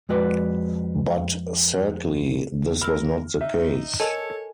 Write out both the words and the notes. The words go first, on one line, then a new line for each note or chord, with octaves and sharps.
But sadly, this was not the case.
F2 G#3 F#4 B4 D5
A#4 B5 E6 F6
D#4 E5
A4 A#4 C#5 D#5 G#5 A5